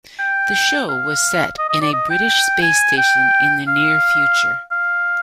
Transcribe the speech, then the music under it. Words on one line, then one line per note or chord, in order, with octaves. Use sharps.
The show was set in a British space station in the near future.
G5
F5
D#5
D#5
D5
D#5
G5
G#5
G5
F5
F5